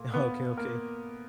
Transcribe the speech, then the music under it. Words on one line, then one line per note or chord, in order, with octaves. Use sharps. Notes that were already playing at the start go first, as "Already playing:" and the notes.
Okay, okay.
Already playing: A#2 A3 A#3
B3 B4
A#3 A#4